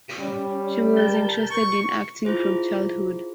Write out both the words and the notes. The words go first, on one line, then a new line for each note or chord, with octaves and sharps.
She was interested in acting from childhood.
G3 C#4
A#4 A5 G6
C#6
E4 F4 G#4 C5